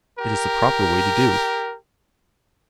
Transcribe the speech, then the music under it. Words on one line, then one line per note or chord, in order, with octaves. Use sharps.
It is the proper way to do.
G4 A#4